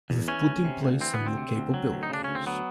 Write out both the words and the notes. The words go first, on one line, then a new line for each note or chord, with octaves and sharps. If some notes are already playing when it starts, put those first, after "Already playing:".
We’ve put in place some new capabilities.
E2
E3 C#4
D2
C3
D2
E3 C4
B3
D2
C4
C3
D2
F#3
D2
D#4
C#3 D4
D2 C#4
C4
F#3 B3